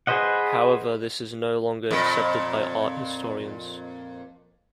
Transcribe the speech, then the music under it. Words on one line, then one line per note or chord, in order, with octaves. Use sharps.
However, this is no longer accepted by art historians.
G#4 B4 C5 D#5 F#5
F2 A#2